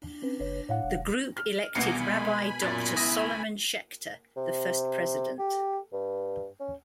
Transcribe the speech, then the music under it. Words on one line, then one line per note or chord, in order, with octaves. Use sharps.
The group elected Rabbi Doctor Solomon Schechter the first president.
C4 C#4 B4
F#1 B4 C#5
A2 C#5 F5 F#5
E1
F6
C2 B2 B3 G#5 A#5 D6 C7 C#7
G#3 G#5 B5
F#2 A#2 A6
C#2 E4 D#6 A#6
C3
G4
G2
C#4